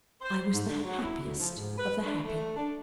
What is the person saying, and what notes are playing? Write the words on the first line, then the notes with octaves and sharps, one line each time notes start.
I was the happiest of the happy.
C5
G#2
D3
F#3
E4
D2
F3
G#2
B4
D4
A3
D4